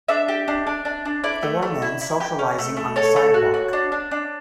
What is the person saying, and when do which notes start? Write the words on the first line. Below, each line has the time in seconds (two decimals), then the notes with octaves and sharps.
Four men socializing on a sidewalk.
0.08 D4 E5
0.28 G4
0.48 D4
0.67 D4
0.85 D4
1.05 D4
1.24 E4 D5
1.43 A3
1.62 A3
1.82 E4
2.01 E4
2.20 G4
2.39 C#4
2.59 A3
2.77 A3
2.96 A4 C#5
3.16 A3
3.34 F#4
3.54 F#4
3.73 D4
3.92 D4
4.11 D4